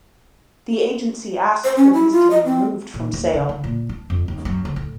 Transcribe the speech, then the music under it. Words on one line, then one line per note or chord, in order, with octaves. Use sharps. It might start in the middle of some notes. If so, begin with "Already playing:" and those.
The Agency asked for these to be removed from sale.
C5
C#4
E4
F4
D#5
C4
A#2
D#2
C#3
D3
A#2
D4
F2
D#2
F#2
D2
A2